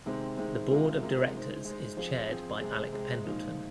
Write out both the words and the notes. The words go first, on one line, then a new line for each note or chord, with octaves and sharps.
The Board of Directors is chaired by Alec Pendleton.
C3 D#3 G#3 C4
C3 D#3 G#3 C4
C3 G#3 F4 A#4
C3 G#3 F4 A#4
G#3 D#4 C5
G#3 D#4 C5
F3 C4 G#4 C5
F3 C4 G#4 C5
C3 G#3 C4 G#4
C3 G#3 C4 G#4
A#2 F3 G#3 D#4